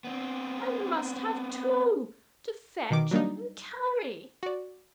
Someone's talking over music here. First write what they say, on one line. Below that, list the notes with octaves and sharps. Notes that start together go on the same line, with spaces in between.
'I must have Two--to fetch and carry.
B3 C4
B2 D#3 D6
F#3 G3 A#3 D4 D#4
F#4 D5